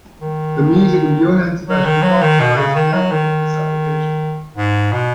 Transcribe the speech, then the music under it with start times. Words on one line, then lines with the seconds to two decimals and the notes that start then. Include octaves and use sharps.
The music of Johann Sebastian Bach provides examples of this application.
0.21 D#3
1.68 F#3
1.85 D#3
2.03 F#3
2.22 D#3
2.40 B2
2.57 C#3
2.75 D#3
2.93 F#3
3.11 D#3
4.57 G#2
4.92 B2